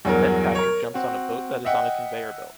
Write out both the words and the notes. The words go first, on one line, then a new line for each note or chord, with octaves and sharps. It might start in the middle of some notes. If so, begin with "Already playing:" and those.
Then Patrick jumps on a boat that is on a conveyor belt.
E2 G2 F#3 F#4 A#4
A#4 C#5
C4 F#4
D#5 E5 F#5 G5